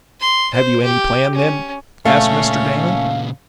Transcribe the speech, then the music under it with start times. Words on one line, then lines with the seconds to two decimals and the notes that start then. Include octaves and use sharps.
"Have you any plan, then?" asked Mr. Damon.
0.20 C6
0.54 C5
0.84 G4
1.35 C#4
2.05 A#2 C#3 A3 C#4 F5